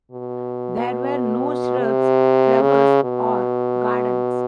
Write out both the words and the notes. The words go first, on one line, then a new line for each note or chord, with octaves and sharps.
There were no shrubs flowers or gardens.
B2
C3
C#3
B2